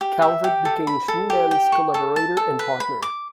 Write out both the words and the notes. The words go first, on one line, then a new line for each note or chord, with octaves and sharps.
Calvert became Schliemann's collaborator and partner.
G4
E5
G4
A4
B5
A4
G4
G5
C#6
A4
A5
A4
B4
B5
D6